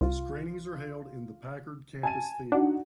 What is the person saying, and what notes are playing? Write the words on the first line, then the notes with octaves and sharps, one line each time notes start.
Screenings are held in the Packard Campus Theater.
C2 F4
G#5 A5 D#7
D4 D#4 F#4 F#5